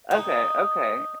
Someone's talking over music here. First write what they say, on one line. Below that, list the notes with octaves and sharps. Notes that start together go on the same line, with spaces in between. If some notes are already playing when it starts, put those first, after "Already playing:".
Okay, okay,
D#4